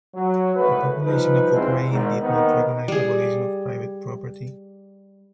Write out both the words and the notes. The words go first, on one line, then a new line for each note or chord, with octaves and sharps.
The population of Ukraine did not recognize the abolition of private property.
F#3
G#1 A2 F#4 B4
F3 G3 D#4 B4
E2 G#2 E3 F3 G#3 C4
G#1 G#2
D#2 D#3 B3 C4 D#4
G3 G#4